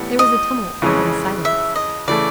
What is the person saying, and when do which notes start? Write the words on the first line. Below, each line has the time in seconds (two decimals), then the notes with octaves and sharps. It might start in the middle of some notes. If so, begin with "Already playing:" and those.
There was a tumult, then silence.
Already playing: A2 E3 G3 B3
0.19 D#5
0.82 F2 C#3 E3 G#3 C#4
1.45 E5
1.75 D#5
2.08 C#3 E3 A3 D5